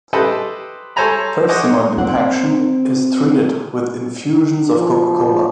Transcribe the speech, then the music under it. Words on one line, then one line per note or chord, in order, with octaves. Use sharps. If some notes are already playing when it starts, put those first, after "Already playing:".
Persimmon impaction is treated with infusions of Coca-Cola.
G4 A4 B4 C5 D#5 G5
A4 C5 C#5 G#5 A#5 B5
C5 C#5 D#5 F#5 D6
C4 F#5
F3